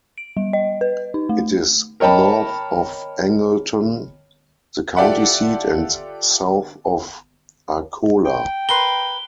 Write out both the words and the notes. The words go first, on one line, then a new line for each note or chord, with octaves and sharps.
It is north of Angleton, the county seat, and south of Arcola.
D7
G3
D#5
B4
D#4
A3
A#4 C#5 D#5 G5 A5 B5
F4 G4 A4 D5 E5 F#5
G5
A#4 B4 C6 G7